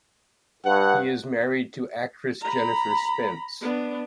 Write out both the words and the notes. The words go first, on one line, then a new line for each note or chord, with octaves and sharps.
He is married to actress Jennifer Spence.
G2 F#5
A#5 B5
B3 D4